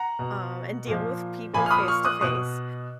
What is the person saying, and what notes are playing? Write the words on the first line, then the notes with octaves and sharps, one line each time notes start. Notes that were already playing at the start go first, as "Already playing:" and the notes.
um, and deal with people face to face.
Already playing: F#5 A#5
B2
A#2 F3
A#2 F3 G#5 B5
F6
B5 D#6
C#6 F6
D#6 F#6
B2 D#6 F#6